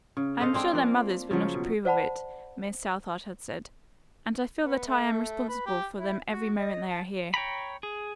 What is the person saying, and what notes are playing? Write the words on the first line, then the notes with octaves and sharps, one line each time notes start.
"I am sure their mothers would not approve of it," Miss Southard had said, "and I feel that I am responsible for them every moment they are here."
C#3
A4 C5 D#5 F5
G#3 C4 D4 G#4
F3 A#3
C#3 F3 F#3
B2
C5 D5 F#5 A5 B5
B3
A3
B4
G4
E4
F#4
D#5
A5
C#5 G5 A#5 B5
G#4